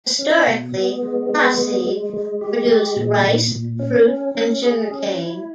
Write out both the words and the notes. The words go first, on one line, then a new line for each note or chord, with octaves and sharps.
Historically, Pasig produced rice, fruit and sugarcane.
C#4
B2
B3
G#3
B3
G#3
G#3
G#3
G4
G#3
A#2
A#2
A#2
C#4
C#4
C#4
G#4
C#4
E4